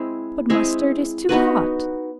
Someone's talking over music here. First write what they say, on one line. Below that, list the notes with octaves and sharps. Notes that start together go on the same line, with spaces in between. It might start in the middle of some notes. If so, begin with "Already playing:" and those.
"But mustard is too hot."
Already playing: G#3 C4 E4 G#4
G#3 C4 E4 G#4
B3 D#4 F#4 B4